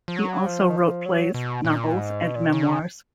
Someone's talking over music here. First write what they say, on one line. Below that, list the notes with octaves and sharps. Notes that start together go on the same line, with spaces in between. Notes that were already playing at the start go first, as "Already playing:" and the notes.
He also wrote plays, novels and memoirs.
F3
F#3
F3
D#3
F3
F#3
B2
A#2
G#2
B2
A#2
B2
C#3